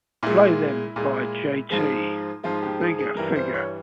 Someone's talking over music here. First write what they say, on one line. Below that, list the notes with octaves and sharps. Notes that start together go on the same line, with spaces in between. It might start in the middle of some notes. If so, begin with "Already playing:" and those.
Play them by Jt The Bigga Figga.
A#2 G#3 E4
A#2 G#3
G#2 F3 G#3
G#2 F3 G#3 F4
G4
G#4
G#4
G2 E3 G3 A#4
C5
C#5